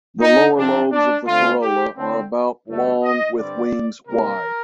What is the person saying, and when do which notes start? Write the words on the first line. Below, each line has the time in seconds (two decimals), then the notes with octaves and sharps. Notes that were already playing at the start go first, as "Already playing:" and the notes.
The lower lobes of the corolla are about long with wings wide.
0.20 D#4
0.56 C3 F3 C4 D4
0.91 D4
1.26 D3 A3 C4 F4
1.62 G4
1.97 D3 A3 C4
2.67 G2 D3 A3
3.03 D#5
3.37 G2 D3 G3 C4 D5
4.07 C3 G3 A#3 A#4